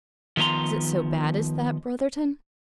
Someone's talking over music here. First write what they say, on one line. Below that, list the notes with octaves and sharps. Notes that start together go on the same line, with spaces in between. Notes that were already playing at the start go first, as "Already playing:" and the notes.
"Is it so bad as that, Brotherton?"
D#3 F3 B3 A#5 C6